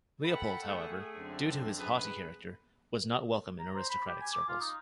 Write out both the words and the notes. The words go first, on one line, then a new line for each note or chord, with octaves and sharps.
Leopold, however, due to his "haughty" character, was not welcome in aristocratic circles.
A4 F#5 G5 B5
A3 G#4
F#2 D3 C4
G#4 B4
A#5
C5
B5
G4
G#5
D6
F4
D#4